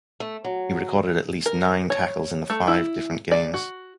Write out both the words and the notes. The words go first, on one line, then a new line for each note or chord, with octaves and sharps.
He recorded at least nine tackles in five different games.
A3
F#3
A#4
C#5
A3
E4
D5
F#4